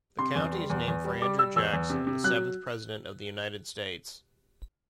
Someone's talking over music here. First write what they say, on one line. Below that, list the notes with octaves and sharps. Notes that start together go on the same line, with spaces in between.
The county is named for Andrew Jackson, the seventh president of the United States.
C3 C6
E2
G3
E2
E2
G3
G3 D6
G3 E6
E2 E6
E2
C3
C3
F#3 F#6